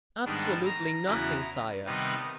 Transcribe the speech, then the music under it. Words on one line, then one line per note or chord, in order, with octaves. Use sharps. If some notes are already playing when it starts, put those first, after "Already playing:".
"Absolutely nothing, sire."
G#2 D#3 G3 B3 D4
A#5
E2 C#3 F#3 B3 E4
C3 D#3 G3 B3 D#4